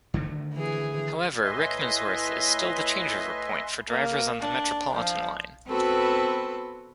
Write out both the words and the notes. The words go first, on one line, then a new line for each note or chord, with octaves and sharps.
However, Rickmansworth is still the changeover point for drivers on the Metropolitan line.
D3 D#3 A3
E3 G#4
A2 B4 D#5 E5 G#5 C6
A#3
D4
F3
B3 C4 F#4 A4 B4